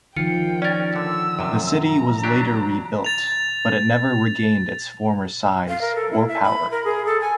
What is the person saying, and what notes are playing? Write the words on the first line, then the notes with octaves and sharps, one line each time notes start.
The city was later rebuilt, but it never regained its former size or power.
D#3 F3 F4 G5 C#7
C#4 A#4 D5 A6
D3 E6
F#2 C3
A#5
F#3 D4 G4
A6 F7
F5
A#4
A4
E4
E5
B5
A#4
G#4
A4
G#5